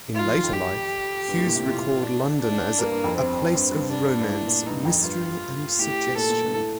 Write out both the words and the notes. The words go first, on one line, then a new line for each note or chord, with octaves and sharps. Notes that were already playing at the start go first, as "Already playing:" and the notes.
In later life, Hughes recalled London as "a place of romance, mystery and suggestion".
F4
F3
D#3
F2
G4
G2
A2
A#2
C3
A2 F4
D4
D4
G2 A#3
G2
F2
C4
G2
G2
D4
G2
A2
A#2
G2 D#4
F2
G2 F4
A2 G4
A#2 A4
A#2
G2
A#2
A2